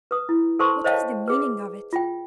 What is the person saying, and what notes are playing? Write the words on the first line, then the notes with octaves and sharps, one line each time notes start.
What was the meaning of it?
B4 D#6
E4
A4 B4 C5 A5 C6 C#6
C5 C#5 D#5 F5 G5 A5
G#4 B4
F4 G5